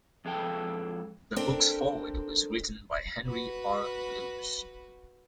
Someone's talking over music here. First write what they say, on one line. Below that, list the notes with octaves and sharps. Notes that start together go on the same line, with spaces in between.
The book's foreword was written by Henry R. Luce.
F2 G#3 A4 G5
C4 D4 A4 A#4
F#4 B4